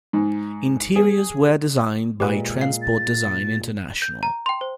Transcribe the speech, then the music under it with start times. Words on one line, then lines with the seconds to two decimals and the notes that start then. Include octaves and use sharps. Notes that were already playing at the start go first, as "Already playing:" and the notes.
Interiors were designed by Transport Design International.
0.13 G#2
0.96 G#4
2.20 A#2 G#3 G4 B4
2.61 F5 C7
2.82 A6
4.02 G6
4.23 A#5
4.46 G5 C6
4.61 C5